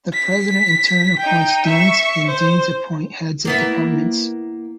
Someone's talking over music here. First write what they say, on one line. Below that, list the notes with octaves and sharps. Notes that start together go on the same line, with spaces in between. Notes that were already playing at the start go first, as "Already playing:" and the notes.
The president in turn appoints deans, and deans appoint heads of departments.
B6
D#4 G5
E5 C#6
C5
A#3 B3 E4